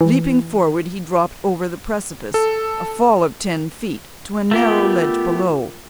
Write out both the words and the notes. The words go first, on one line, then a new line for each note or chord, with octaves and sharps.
Leaping forward, he dropped over the precipice, a fall of ten feet, to a narrow ledge below.
E3
A4
A3 B3 F4 G4 A#4